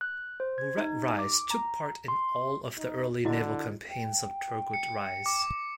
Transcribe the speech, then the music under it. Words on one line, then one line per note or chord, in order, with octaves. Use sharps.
Murat Reis took part in all of the early naval campaigns of Turgut Reis.
F#6
C5
G#6
D#4
D6
A#5
C6
D#4
D3 E4 F#4 D#5
G5
C#7
D6